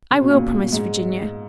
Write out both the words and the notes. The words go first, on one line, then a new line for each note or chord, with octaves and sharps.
"I will," promised Virginia.
C#3
B2
A#2
G#2